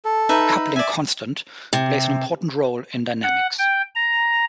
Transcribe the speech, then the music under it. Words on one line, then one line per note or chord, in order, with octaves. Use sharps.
A coupling constant plays an important role in dynamics.
A4
D#4 B4 E5
D5 E5 G#5
C3
F#5
G5
A#5